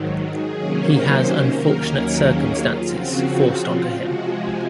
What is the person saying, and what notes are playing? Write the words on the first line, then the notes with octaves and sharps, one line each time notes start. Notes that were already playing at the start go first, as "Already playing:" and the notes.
He has unfortunate circumstances forced onto him.
Already playing: G#2 D#3 F#3
G#4
C3 D#3 F#3 A#3 C#4
C5
A#4
D#2 D#3 F#3 A#3 C#4
G#4
F4
C#3 F3 C4 F#4
F4
C3 F3 G#3 F#4
G#4